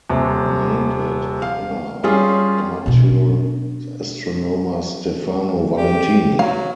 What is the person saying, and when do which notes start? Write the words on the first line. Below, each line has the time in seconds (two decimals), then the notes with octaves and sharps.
He named it in honour of amateur astronomer Stefano Valentini.
0.10 D#1 C3
1.42 F5
2.04 G3 C#4 F4 G#4
2.86 B2 D4
5.77 G4
6.39 F#3 F5